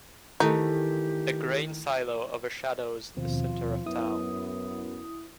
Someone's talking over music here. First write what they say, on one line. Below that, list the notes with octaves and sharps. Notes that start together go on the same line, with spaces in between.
A grain silo overshadows the centre of town.
D#3 E3 A3 D#4 G4
D#2 B2 F3 C4 F4
F#2 B3 E4 D#6